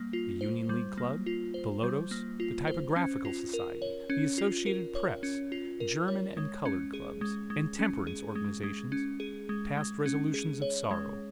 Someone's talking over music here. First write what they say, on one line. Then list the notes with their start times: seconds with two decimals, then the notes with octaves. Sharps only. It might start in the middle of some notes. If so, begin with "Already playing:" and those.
The Union League Club, the Lotos, the Typographical Society, the Associated Press, German and colored clubs, and temperance organizations passed resolutions of sorrow.
Already playing: G3 A#3
0.13 F4
0.41 C5
0.69 G3
0.97 A#3
1.26 F4
1.54 C5
1.83 G3
2.11 A#3
2.40 F4
2.67 C5
2.96 C#4
3.25 F4
3.54 A#4
3.82 C#5
4.10 C#4
4.38 F4
4.66 A#4
4.95 C#5
5.23 C#4
5.52 F4
5.80 A#4
6.08 C#5
6.37 G#3
6.65 C#4
6.93 G#4
7.21 G#3
7.50 G#3
7.79 C#4
8.07 G#4
8.35 G#3
8.64 G#3
8.92 C#4
9.20 G#4
9.49 G#3
9.77 G#3
10.06 C#4
10.34 G#4
10.62 C#5
10.91 G#3